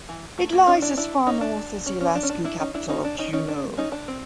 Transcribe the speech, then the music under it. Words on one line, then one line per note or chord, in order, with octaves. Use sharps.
It lies as far north as the Alaskan capital of Juneau.
E3
A3
A#3
C#4 D#4
D4 E4
D4 E4
C#4 D#4
D4
C#4
C#4
D4
C#4
D4
D4 E4
C#4 D#4
D4 E4
C#4 D#4
D4
C#4 D#4
C#4 D#4
D4
C#4 D#4
D4
C4